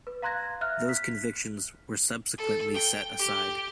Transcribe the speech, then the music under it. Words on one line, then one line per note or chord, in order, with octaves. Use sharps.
Those convictions were subsequently set aside.
B4
F5 A#5 C6 F#6 G#6 A#6
E5 F6 F#6
B6
A4
G5
G4